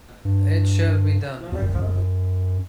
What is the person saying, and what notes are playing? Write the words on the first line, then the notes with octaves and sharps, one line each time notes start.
It shall be done!
G2
E2
F#2
F#2